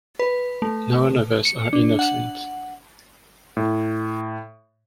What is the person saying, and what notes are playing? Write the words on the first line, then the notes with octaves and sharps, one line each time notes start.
None of us are innocent.
B4
A3
C#7
D4
F#5
A2